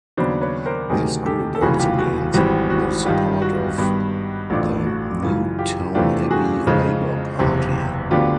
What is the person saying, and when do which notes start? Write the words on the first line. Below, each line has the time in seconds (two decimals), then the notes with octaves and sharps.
This group also gained the support of the Newtownabbey Labour Party.
0.17 D#2 C#3 F#3 B3 D4 C5 D5
0.41 B4 C#5
0.66 A#4 C5
0.90 D2 C3 D#3 F#3 G#4 A#4
1.26 G4 A4
1.55 A4
1.61 F1 D#2 C#3 E3 G3 F#4 G#4
1.79 F4 G4
1.98 F#4
2.34 G#1 G#2 E3 G3 C4 F#4
2.70 F#4
3.05 G2 D#3 G3 F4
3.42 F#4
3.78 G2 D#3 G3 B3
4.50 A1 A2 F3 A3 D4 F4
4.86 F#4
5.22 F#2 C#3 E3 F4
5.59 F4 G4
5.95 E2 C3 E3 A3 D4 F4 G4
6.31 F#4 G#4
6.67 F2 C#3 F3 G#3
7.39 F#1 E2 C3
8.11 D2 D3 F#3 B3 D4 F4 G4